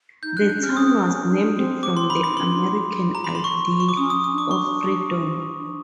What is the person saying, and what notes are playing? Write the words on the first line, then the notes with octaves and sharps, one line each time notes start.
The town was named from the American ideal of freedom.
D#4 G6
F#6
D4
F#6
C#4 F6
C4 D#6
C#4
D4
C4
D6
C6
B5
D#4 B5
D4 C6
C#4
D4
A#5
B5
C6
C#6
C#6
D6
C#4 D#6
D#6
D#6
D4
D6
C#6
D4